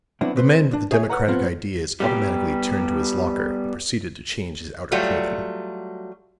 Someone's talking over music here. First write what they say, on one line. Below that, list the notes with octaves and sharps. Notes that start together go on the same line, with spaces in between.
The man with the democratic ideas automatically turned to his locker, and proceeded to change his outer clothing.
F#3 B3 C4 D4 E4
C4 B4 C5
D4
G#4 C#5 E5 G#5
B4 C#5 F#5 A#5
F3 B3 C4 F4
G3 B3 G4
F#3 G3 A3 F4 F#4